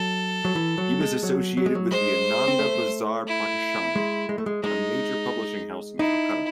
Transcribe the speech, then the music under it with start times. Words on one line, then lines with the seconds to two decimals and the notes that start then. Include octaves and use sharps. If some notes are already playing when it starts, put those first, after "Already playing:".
He was associated with the Ananda Bazar Prakashana, a major publishing house in Calcutta.
Already playing: F#3 A4
0.45 F#3
0.55 E3
0.78 F#3
1.01 G#3
1.23 F#3
1.57 F#3
1.66 G#3
1.75 F#3
1.91 G#3 C5
2.48 C4
2.59 A3
3.27 E4
3.96 G#3
4.29 G#3
4.38 A3
4.46 G#3
4.63 G#3 D#4
5.99 D#4 E4